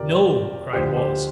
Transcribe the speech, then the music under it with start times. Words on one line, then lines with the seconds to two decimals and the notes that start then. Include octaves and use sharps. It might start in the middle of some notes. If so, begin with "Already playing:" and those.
"No," cried Wallace.
Already playing: F2 C3 F3 G4 A#4 D5
0.73 D2 D3 F3 G4 C5
0.97 G4 C5